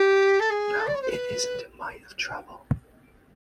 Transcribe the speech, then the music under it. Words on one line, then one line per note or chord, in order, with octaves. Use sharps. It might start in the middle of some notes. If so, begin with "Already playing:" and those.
No, it isn’t a mite of trouble.
Already playing: G4
A4
G#4
A4
D5
C#5
C5
B4